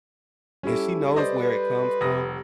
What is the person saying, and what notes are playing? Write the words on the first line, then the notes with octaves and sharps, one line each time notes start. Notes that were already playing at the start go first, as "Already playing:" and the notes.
and she knows where it comes from,
G3 C#4 E4 G4 A4
B4 C5 D5 D#5
F1 D#6 A#6